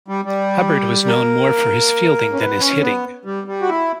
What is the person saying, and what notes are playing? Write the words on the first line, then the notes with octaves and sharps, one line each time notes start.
Hubbard was known more for his fielding than his hitting.
G3
G3
A#3
C#4
B3
C#4
B3
G3
G3
F#4
E4